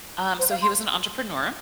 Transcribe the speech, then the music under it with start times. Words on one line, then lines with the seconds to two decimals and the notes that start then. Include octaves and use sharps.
Um, so he was an entrepreneur
0.39 C5
0.50 F5
0.62 C6